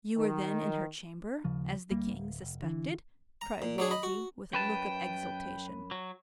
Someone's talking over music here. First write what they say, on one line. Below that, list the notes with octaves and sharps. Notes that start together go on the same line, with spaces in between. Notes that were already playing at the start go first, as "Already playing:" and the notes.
"You were then in her chamber, as the king suspected?" cried Wolsey, with a look of exultation.
D#3
D#2 C#3 F3
D2 G3 A#3
D1
F1
D3 E3
A#5
A#2
F#3 D4 G#4
D#5 B5
F#4
F#2 B4 G5 A5
F#3